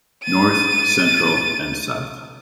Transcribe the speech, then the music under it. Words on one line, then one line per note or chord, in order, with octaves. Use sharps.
North, Central and South.
A6 D#7